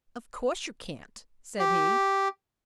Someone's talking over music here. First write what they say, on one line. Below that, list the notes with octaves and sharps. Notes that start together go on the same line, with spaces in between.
"Of course you can't," said he.
G4